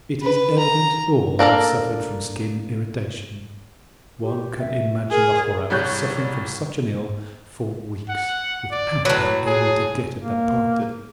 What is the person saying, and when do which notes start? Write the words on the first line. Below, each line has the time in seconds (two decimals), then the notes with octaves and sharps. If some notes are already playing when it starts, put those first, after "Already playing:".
It is evident all have suffered from skin irritation--one can imagine the horror of suffering from such an ill for weeks without being able to get at the part that itched.
0.23 B4
0.58 A#5
1.39 A#3 D4 A4 A#4
4.23 G4
4.60 E5
5.11 G#4 A#4
5.70 C2 G3 C#5 F#6 G6
8.09 F#5
8.71 D5
9.05 A2 F#3 B4
9.46 G#4
10.21 A#3